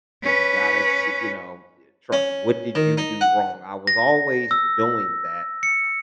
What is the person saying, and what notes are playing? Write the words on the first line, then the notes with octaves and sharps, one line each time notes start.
You gotta see" you know, eh, "Try what did you do wrong?" I was always doing that,
C#4 B4
C#4
D#3
D#4
F#5
A#6
E6
C#7